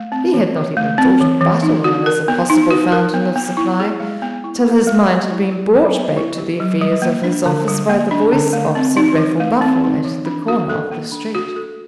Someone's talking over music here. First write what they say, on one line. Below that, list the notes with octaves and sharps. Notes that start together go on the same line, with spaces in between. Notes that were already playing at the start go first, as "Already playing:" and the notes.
He had not even thought of Butterwell as a possible fountain of supply, till his mind had been brought back to the affairs of his office, by the voice of Sir Raffle Buffle at the corner of the street.
Already playing: A3
C4
E3
E3
A3
C4
E3
E3
D#4
F#4
A#4
B3
D#4
F#4
A#4
B3
B3
E4
G#4
G#3
B3
E4
G#4
G#3
B3
E4
G4
F#3
B3
E4
G4
F#3
G3
A#3
D4
D3
G3
A#3
D4
D3
A3
C4
D#4
E3
A3
C4
D#4
E3
D4
F#4
A4
A#3
D4
F#4
A4